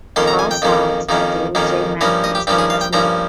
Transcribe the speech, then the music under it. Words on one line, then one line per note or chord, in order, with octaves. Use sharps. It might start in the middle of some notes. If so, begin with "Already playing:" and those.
All songs by David J. Matthews unless noted.
F2 D#3 A#3 C#4 C6
A#5
G#5
G5
F2 D#3 A#3 C#4
F2 D#3 A#3 C#4
F2 D#3 A#3 C#4
G2 F3 A#3 C#4 D#5
D#5
G4
G2 F3 A#3 C#4 G4
G#4
F5
G5
G2 F3 A#3 C#4 A#5